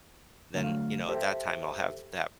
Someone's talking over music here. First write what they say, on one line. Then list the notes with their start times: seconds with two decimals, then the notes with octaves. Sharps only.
then, you know, at that time, I'll have that
0.54 D3 F#3 A3 F5
1.08 G4 A4 C5 E5